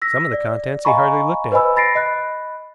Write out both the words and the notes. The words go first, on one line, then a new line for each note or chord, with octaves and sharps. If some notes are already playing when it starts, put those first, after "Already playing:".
Some of the contents he hardly looked at.
E6 A#6 B6
D5
D#5 F5 G#5 A#5 B5 C#6
B4 C5 D#5 G#5 B5 E6
B5 A6 A#6 C7 D7
D#5 B5 F#6